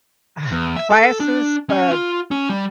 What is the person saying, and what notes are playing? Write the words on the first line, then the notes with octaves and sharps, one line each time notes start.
ugh, classes, but
E2
E5
A4
D4
C#4
F4
C#4
G3